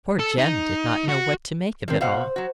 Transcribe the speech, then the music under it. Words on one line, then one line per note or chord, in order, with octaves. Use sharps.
Poor Jem did not know what to make of it all.
A4
D#4
F#4
D#3 F3 C4
B2 C5 F5 F#5
F#3 F#4